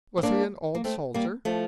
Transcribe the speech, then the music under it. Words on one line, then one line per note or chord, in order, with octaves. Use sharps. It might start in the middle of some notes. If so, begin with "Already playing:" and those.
"Was he an old soldier?"
C4
A#3 D4
A#3
A3 C4
G3 A#3
F3 A3